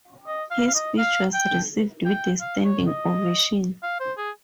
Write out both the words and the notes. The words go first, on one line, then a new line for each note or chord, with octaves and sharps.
His speech was received with a standing ovation.
D#5
F5
F5
D#5
F5
G5
G5
F5
C#5
D#5
F5
C5
G#4